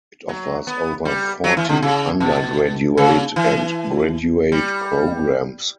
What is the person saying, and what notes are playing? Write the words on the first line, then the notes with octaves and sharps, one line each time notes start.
It offers over forty undergraduate and graduate programs.
F#3
B3
G3
F#3
E3
D3
C#3
B2
C#3
E3
G3